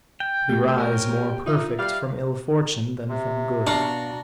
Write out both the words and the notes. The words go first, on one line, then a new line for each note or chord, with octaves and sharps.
We rise more perfect from ill fortune than from good.
G5
A3 G4 G6
C4 C#4 A#4
D#4 F4 E5
G3 F5
C3
B2 D4 F#4 F5 A#5 C#6